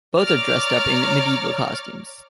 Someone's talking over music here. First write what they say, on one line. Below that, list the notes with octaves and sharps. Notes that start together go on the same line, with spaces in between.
Both are dressed up in medieval costumes.
C#5 D5 A#5 D6 F6 A6